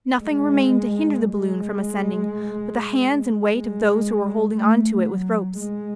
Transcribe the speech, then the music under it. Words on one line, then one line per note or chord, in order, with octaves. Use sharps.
Nothing remained to hinder the balloon from ascending but the hands and weight of those who were holding on to it with ropes.
G#3
G#3
G#3
A3
F#3
G#3